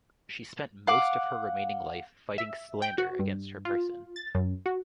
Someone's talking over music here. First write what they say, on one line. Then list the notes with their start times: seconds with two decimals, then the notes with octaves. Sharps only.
She spent most of her remaining life fighting slander against her person.
0.87 F5 F#5 D6
2.38 E5
2.82 G5
2.98 F#4
3.19 G2
3.65 F4
4.16 A6
4.35 F#2
4.66 F#4